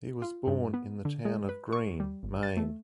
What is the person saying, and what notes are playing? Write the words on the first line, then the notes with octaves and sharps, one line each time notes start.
He was born in the town of Greene, Maine.
F4
G2
B3
D3
G#3
B4
C#6
G3
G#1
A6
A3